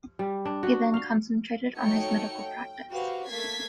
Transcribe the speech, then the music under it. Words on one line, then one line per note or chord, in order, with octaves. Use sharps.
He then concentrated on his medical practice.
G3
D4
F#4
F5
A3 D#4 F#4 C#5 G5 C#7
G5
F#4 G4 B4 C5 F5
A3 A#3 G#6 A6 B6 C7